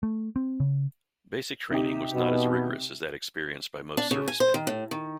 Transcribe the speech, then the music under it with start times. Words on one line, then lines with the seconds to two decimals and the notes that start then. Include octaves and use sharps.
Basic Training was not as rigorous as that experienced by most servicemen.
0.03 A3
0.36 C4
0.60 C#3
1.70 C3 D#4 G4
2.13 B2
3.97 D4
4.11 C#3
4.28 G#5
4.40 C5
4.54 D#3
4.67 A2
4.91 D#3